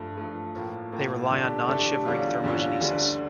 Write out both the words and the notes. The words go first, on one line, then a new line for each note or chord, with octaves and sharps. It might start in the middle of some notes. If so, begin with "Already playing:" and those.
They rely on non-shivering thermogenesis.
Already playing: G2 F3 A3
G2 F3 A3
A2 F3 A#3
A2 F3 A#3
D3 A3 D4 G4
D3 A3 D4 G4
E2 D3 G3 C#4 F4
E2 D3 G3 C#4 F4
D2 D3 G3